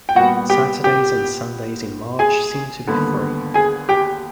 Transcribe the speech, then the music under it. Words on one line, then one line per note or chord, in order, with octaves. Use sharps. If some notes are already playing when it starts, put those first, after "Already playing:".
Saturdays and Sundays in March seem to be free.
G5
A#2 G3 B3 F#4 F#5
G4 G5
G4 G5
G#4 G#5
D#2 D3 G3 B3
G#4 G#5
G4 G5